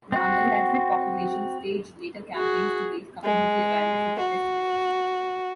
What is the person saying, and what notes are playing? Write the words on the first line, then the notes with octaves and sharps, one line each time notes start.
The undergraduate population staged letter campaigns to raise community awareness and protest the decision.
C4 F#4
F#4 G#4
G#3
F#4